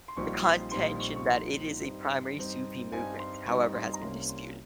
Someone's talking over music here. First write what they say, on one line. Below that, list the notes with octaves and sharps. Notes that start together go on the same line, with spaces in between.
The contention that it is a primarily Sufi movement, however, has been disputed.
C6
A#1 A#2 G3 C4 D#4 C#6
C6
A#1 A#2 G3 C4 D#4 C6
C#6
C#6
A#1 A#2 G3 C4 D#4 C6
G2 G3 C4 D#4
G2 G3 C4 D#4
G2 G3 C4 D#4 G#5
C6
G2 G3 C4 D#4 C#6
C6
A#5
C2 C3 G3 A#3 C#4 C6
C6